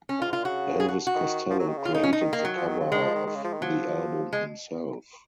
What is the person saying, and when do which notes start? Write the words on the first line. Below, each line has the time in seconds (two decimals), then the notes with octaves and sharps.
Elvis Costello created the cover of the album himself.
0.09 C#4
0.19 A#2
0.22 F4
0.26 G#2
0.33 A#2 F4
0.44 C#3 F#4
0.80 G#4
0.88 F#4
1.07 F#4
1.15 D#3
1.50 F3
1.59 F#3
1.68 D#3
1.77 C#3
1.85 F4
1.95 D#4
2.03 C#4
2.13 D#4
2.21 D#3
2.33 A#3
2.39 D#3
2.45 F#3
2.56 F3
2.68 D#3
2.80 C#3
2.92 D#3 G#3
3.04 F3
3.15 D#3
3.27 D#3
3.36 C#3
3.44 F3
3.53 D#3
3.62 F3 F#3
4.33 G#3